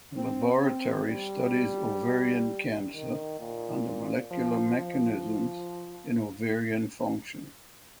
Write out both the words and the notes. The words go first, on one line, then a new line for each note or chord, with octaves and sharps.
Her laboratory studies ovarian cancer and the molecular mechanisms in ovarian function.
C4
C4
G3
D#3
A#2
F3
F3